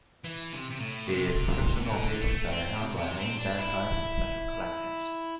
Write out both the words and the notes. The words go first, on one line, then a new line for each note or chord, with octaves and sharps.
His personal papers are held by Lane's Archives and Special Collections.
E3
C3
C3
A2
C3
A2
C3
D3
A3
C4
C3
C3
C4
D4
E4